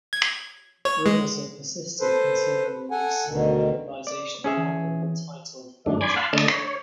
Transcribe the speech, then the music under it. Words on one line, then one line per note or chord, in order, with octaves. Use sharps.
Rumors have persisted concerning the release of an improvisational album entitled "Frenzy".
G#6
C#5
G#3
A4 B4 C5
A4 F#5 G#5
D2 B2 D3 D#3
D5
C#4 G#4 E5
E3
G2 D#3 F#3 A3 D4
D5 G#5 B5 C6 D6 G#6
F5 F#5 A5 B5 C6
D3 A3 D4 D#5 A5
C#5
C#5